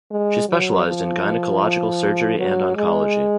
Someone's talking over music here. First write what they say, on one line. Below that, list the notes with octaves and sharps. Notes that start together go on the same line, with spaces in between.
She specialised in gynaecological surgery and oncology.
G#3
F#3
F3
F#3
G#3